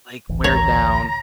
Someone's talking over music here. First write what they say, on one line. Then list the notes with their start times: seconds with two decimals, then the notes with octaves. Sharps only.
like wear down,
0.29 A1 D2 E3
0.44 C#5 A#5